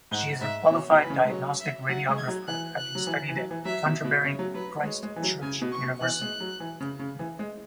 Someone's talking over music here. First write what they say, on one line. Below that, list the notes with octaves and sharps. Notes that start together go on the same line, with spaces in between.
She is a qualified Diagnostic Radiographer having studied at Canterbury Christ Church University.
G#2 F#5
G#2 E5
B2 C#5
B2
B4
E3
C#3
G#3
F#3 C#5
E5
F#3 F#5
G#3
G#6
F#3
E3 F#6
F#6
F#3
E3
E3
F#3
E3
F#3 E5
B2
B2
C#3 C#5
F#3
F#3 B4
G#3 C#5
G#3
E3
F#3
C#3 G#5
B2
C#6
B2
E3 F#6
G#3
F#3
E3
C#3
C#3
E3
G#3